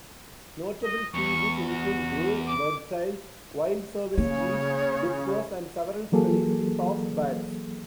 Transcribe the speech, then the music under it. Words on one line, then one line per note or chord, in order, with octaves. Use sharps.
Notable species include grey wagtails, wild service trees, dippers and several species of bats.
D#5
E2 C#6
F#4
D6
C#3 A#3 C#5
E3 F#3 A#3 G#4 A4